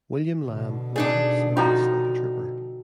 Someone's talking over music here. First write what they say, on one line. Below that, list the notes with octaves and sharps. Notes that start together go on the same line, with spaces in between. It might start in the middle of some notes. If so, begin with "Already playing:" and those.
William Lamb laughs and eats like a trooper.
B2 D3
D4 D#4 G#4 D5
F3 D#4 F4 F#4 A4 D#5 G5 A#5